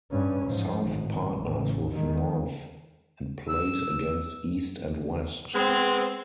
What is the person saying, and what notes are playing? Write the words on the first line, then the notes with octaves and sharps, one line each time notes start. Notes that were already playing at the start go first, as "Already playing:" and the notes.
South partners with North and plays against East and West.
G2 C#4
G#2 F3
G#1 A2
A1
D#3 G#3
E6
G#3 B3 C4